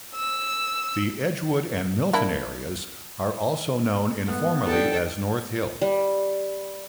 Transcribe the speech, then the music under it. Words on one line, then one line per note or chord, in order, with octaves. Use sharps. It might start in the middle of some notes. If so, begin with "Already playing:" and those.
The Edgewood and Milton areas are also known informally as North Hill.
E6
A#3 D4 E4
G#2 A3 B3
D3 G4 A4 G5
G3